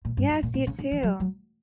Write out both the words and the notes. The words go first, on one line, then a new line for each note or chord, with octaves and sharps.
Yes, you, too.
A#2
G2
F#2
A#2
A#2
C#3
D3
E3
F#3
F#3